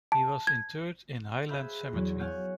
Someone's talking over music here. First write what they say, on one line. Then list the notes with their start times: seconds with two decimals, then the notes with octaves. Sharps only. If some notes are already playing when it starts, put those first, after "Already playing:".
He was interred in Highland Cemetery.
0.12 A5
0.47 G#6
1.49 G#4 B4 C5 E5 B5 G6
1.93 E2 F#3
2.19 C#5 F#5 G#5 F6 G6